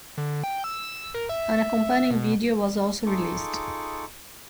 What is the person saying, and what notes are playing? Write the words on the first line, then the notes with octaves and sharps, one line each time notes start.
An accompanying video was also released.
D3
G5
E6
A#4
E5
B2
D#4 F4 G#4 A4 C#6 D6